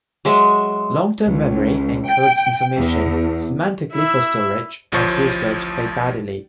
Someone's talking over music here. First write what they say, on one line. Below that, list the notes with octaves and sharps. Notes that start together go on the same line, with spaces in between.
Long-term memory encodes information semantically for storage, as researched by Baddeley.
F#3 G#3 E5
C#2
G5
E2
E4 E5
A1 D2 F3 C5 C#5 C#6